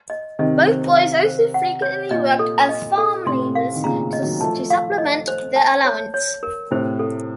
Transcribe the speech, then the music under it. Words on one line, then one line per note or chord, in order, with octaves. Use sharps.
Both boys also frequently worked as farm laborers to supplement their allowance.
D#5
C3 D#3 D#5
C5
F5
C5
F#5
C#5
A#2 D#5
A4
D#5
A4
A2 C3 C6
F5
D#3
A#2 C#3 A#5
D#5
D#3 F#3
F3 A3 A5
F5
D#5
C5
A5
C#5
C#5
A#4
A2 C3 C5
A4